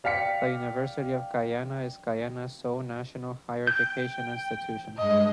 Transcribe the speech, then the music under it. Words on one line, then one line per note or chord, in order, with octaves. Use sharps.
The University of Guyana is Guyana's sole national higher education institution.
D5 F5 G5 B6 C#7
G5 G6
G2 G#3 D#5